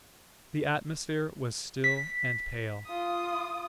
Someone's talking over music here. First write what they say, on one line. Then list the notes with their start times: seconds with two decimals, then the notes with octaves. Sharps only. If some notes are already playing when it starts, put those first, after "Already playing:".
The atmosphere was still and pale.
1.84 B6
2.86 F4 D#6